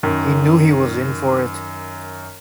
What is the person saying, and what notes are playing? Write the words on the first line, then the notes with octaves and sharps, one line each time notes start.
He knew he was in for it.
F#2 D#3